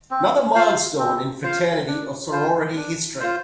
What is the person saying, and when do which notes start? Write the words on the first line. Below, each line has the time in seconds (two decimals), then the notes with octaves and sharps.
Another milestone in fraternity or sorority history.
0.11 C4
0.55 F4 C5 F5
0.99 C4
1.44 F4 C5 F5
1.88 D4
2.31 F4 C5
2.76 D4
3.20 F4 C5